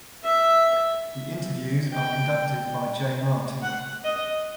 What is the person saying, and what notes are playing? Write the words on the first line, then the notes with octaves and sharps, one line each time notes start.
The interviews are conducted by Jay Martin.
E5
G5
F#5
D#5